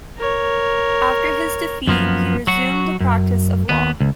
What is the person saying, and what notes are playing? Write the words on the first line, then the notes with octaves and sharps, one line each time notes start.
After his defeat, he resumed the practice of law.
A#4 C#5
F#2 F3 A#3 B3
F#3 F#4
F#2
D#2 B3
C#2